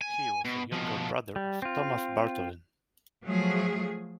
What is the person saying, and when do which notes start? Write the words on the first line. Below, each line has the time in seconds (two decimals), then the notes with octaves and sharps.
He was a younger brother of Thomas Bartholin.
0.01 G#5
0.45 B2
0.72 B2 F3
1.36 G3
1.62 C4 F4
3.25 F3 F#3 A3 G#4